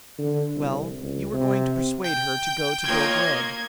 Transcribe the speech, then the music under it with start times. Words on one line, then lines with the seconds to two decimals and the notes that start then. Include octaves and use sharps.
"Well, you are going to persuade her to go to Bill Gregg?"
0.18 D3
0.55 C2
1.02 C#2
1.33 C3
2.04 G5 G6
2.84 A#3 F4 C#5 D#5 G#6